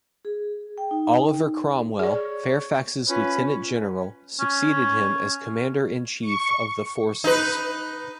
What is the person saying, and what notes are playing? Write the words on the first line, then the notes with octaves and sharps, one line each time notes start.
Oliver Cromwell, Fairfax's Lieutenant-General, succeeded him as Commander-in-chief of the Forces.
G#4
G5
D#4
G#4 C#5 D5
C#4 F4 B4
C#4
C#6
D#4 B4